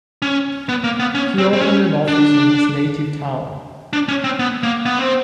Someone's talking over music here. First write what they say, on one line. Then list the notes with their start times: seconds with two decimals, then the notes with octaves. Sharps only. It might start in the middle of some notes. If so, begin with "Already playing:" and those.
He opened an office in his native town.
0.22 C#4
0.69 B3
0.84 A#3
1.00 B3
1.15 C#4
1.38 C4
1.53 C4
1.61 C#4
2.08 D4
3.93 D4
4.08 C#4
4.24 C4
4.39 B3
4.63 A#3
4.85 B3
4.99 C4